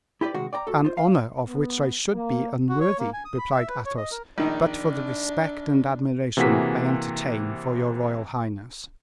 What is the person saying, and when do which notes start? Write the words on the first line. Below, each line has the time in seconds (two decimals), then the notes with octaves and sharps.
"An honor of which I should be unworthy," replied Athos, "but for the respect and admiration I entertain for your royal highness."
0.21 E4 G4 B4 D5
0.34 C3 D#3 G#3 F#4
0.53 D5 G5 A#5
0.67 F#4 A4
0.85 F4 C5
0.97 F5
1.47 B3
2.13 A#3
2.69 F#4
2.80 C#5
2.99 A#3
3.13 G#5
3.25 D#6
3.38 B5
3.52 E5
3.69 B4
3.85 C#5
3.97 D#5
4.11 A#4
4.38 A#1 D#3 D4 D#4
6.37 C3 E3 A#3 F#4 G#4 B6